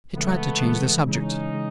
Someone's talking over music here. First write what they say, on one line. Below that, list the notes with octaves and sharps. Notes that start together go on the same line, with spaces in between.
He tried to change the subject.
C#3 E3 G#3 A3 B3
C#3 E3 G#3
C#3 E3 G#3 C#4 D#4
C#3 E3 G#3